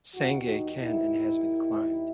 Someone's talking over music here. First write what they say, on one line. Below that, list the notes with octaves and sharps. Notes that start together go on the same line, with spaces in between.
Sangay can and has been climbed.
D#2 D#3 F#4
D#4
E4